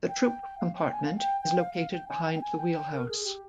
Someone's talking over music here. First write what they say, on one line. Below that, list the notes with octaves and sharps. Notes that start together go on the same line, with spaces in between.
The troop compartment is located behind the wheelhouse.
G5
G5
G5
F5
G5
G#5
F5
G5
G5
F5
F5
G5
G#5
G5
G5
G#5
G5
G5
A#4
G#4
G4